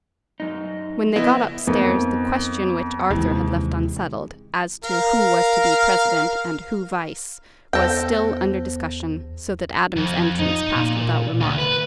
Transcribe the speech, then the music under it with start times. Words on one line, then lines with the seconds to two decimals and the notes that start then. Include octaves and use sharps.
When they got upstairs, the question which Arthur had left unsettled, as to who was to be president, and who vice, was still under discussion, so that Adam's entrance passed without remark.
0.40 F#2 D#4
1.16 C#3 F3 B3 E4 D#5
1.67 F2 A#3 B3 D#4 A4
3.10 D#2 C3 E3 G#3
4.84 A#4 F5
7.73 E2 B3 A4 C5 G5 A#6
9.96 F2
10.39 D#4
10.75 A#2
11.41 D2
11.59 B4